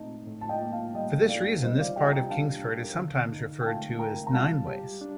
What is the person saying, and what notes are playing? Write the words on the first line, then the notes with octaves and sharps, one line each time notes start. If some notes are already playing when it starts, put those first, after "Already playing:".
For this reason, this part of Kingsford is sometimes referred to as "nine-ways".
Already playing: A#2 A3 C4 D#4 D#5 A5
A2
A5
D#5 G5
A#3
F5 A5
G3 D#5 G5
D#4 D5 F5
G3 C5 D#5
D5 F5
G4 D#5 G5
G5 A#5
D4 F5 A5
A#4
D3
D#4
G5
A3 F5 A5
A#4 G5 A#5
A#5
G3 F5 A5
G4
D4